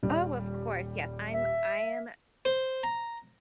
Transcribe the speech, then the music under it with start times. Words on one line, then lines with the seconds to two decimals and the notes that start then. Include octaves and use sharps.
Oh, of course, yes, I'm I am,
0.03 D#1 G3
1.32 E5
2.45 C5
2.83 A#5